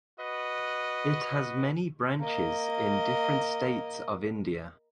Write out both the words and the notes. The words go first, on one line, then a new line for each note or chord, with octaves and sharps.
It has many branches in different states of India.
F#4 B4 D#5
A#3 D#5